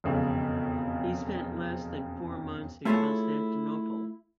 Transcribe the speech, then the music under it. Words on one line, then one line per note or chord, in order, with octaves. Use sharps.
He spent less than four months in Constantinople.
E1 F2 C#3
A3 E4 F4 G#4 A4 C#5